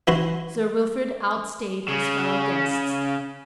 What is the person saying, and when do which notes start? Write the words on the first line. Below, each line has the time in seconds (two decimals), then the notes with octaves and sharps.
Sir Wilfrid outstayed his fellow-guests.
0.07 E3 E4 F#4 C6
1.89 C#3